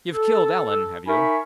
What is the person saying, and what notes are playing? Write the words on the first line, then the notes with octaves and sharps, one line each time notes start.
You've killed Alan, have you?
A4
D#4 A#4 E5 G#5 B5 C#6